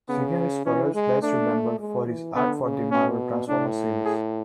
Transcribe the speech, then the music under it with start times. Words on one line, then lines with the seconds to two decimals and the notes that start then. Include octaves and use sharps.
Senior is perhaps best remembered for his art for the Marvel "Transformers" series.
0.09 C#3 B3
0.66 E3 C#4
0.95 G#3
1.22 A3 D4
1.79 G#3
2.07 E3
2.35 D3 B3
2.64 C#3
2.91 B2 C#4
3.48 A2 D4
4.05 G#4